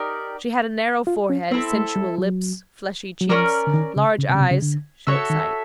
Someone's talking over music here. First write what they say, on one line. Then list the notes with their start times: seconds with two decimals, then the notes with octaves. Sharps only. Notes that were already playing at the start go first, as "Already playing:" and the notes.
She had a narrow forehead, sensual lips, fleshy cheeks, large eyes, short sight.
Already playing: D#4 G4 A#4 D5
1.07 F4
1.30 C#4
1.51 B3 C4 E4 A4
1.73 A3
1.96 G3
2.18 F#3
3.21 F#3
3.29 F3 C#4 F4 A#4 D5
3.67 D3
3.74 D#3
3.96 C#3
4.18 C#3
4.29 C3
4.35 C#3
4.40 C3
4.51 C#3
4.62 D3
5.07 C#3 F#4 A4 C#5 E5
5.30 D#3